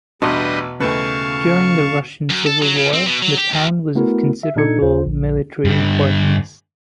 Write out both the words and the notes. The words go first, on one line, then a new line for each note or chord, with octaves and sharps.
During the Russian Civil War, the town was of considerable military importance.
A1 E2 B2 G3 D4 B4 D#5 C6
D#2 C#3 E3 A3 B4 F5 A5 C#6
F#2
A4
F#3
C#3
C4
B2
F#3
G4
D2
A3 B3 E4 F#4 A#4
E5
A#2 D4 D#4 A4 G#6 C#7
D#2 F4 C5
A#1
G2 D3